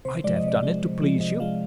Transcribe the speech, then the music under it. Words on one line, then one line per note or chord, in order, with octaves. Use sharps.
"I'd have done it to please you."
C3 C5
F3 G#3 D5
D#5
C3 D5
F3 G#3
C3
F3 G#3
C3 D#5
F3 G#3 F5